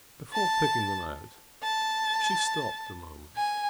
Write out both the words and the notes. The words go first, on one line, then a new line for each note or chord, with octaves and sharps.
Before picking them out she stopped a moment.
A5
A5
G#5